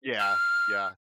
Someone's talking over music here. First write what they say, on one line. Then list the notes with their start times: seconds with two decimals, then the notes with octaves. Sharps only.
Yeah, yeah.
0.20 F6